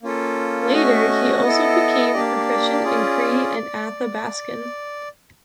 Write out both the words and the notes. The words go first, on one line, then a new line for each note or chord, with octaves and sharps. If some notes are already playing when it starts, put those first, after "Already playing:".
Later, he also became proficient in Cree and Athabaskan.
A#3 C#4 F4 A4
A3 C#4 F#4 D#5
B3 E4 A4
A#3 D4 G4 D5
C#4 F4 G#4